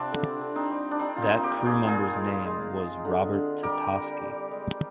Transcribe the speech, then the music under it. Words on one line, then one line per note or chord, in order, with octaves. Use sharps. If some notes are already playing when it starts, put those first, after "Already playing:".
That crew member's name was Robert Tatosky.
Already playing: C3 G3 C4 D4 F4
D3
D3
C4 D#4
G3
D4
G3 C4 D#4
F4
C4 D#4
A#2
G4 A#4
G3
F4 G#4
A#2 F4 G#4
G#3
G#3
G#3
D3
D3
G3 G4 A#4
G3
G3
G#3